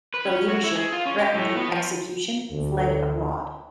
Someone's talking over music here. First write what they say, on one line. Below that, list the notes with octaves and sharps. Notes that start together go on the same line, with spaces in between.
The leadership, threatened with execution, fled abroad.
B4
C#4
F#4
E4
G#4
F4
C#4
G4
A2
B3
F3
D2